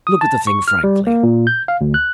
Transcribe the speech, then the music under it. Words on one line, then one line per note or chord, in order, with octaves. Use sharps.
Look at the thing frankly.
D#6
A5
C#6
F6
G3
A#3
A#2
G6
F5
D2
F#6